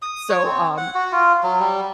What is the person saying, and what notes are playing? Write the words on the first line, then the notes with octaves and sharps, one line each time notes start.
So, um
D#6
C#5
C4
F#5
F#4
F4
F#3
G3